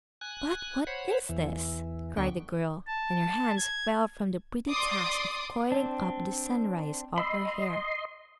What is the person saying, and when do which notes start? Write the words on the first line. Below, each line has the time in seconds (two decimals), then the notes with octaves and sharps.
"But what is this?" cried the girl, and her hands fell from the pretty task of coiling up the sunrise of her hair.
0.21 G#5 F#6
0.87 C5 C#5 F#5 B5
1.29 E2 E3
2.17 D2 D3 B3 D4 G5 C#6
2.87 A5
3.57 G#6
4.70 D5 C6 D6 D#6
5.72 C4 D4
7.18 D#5 B5 C6 E6